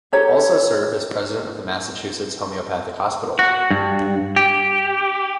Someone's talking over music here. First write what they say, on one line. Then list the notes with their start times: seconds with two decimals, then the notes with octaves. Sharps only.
He also served as president of the Massachusetts Homeopathic Hospital.
0.13 G4 A4 C#5 A#5
3.39 F#4
3.71 G2
4.36 G4